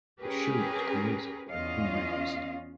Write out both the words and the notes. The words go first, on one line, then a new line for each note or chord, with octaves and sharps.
The show was created by Paul Mendelson.
C#4 G4 G#4 A#4 B4
E2 C#4 F4 D#5 F5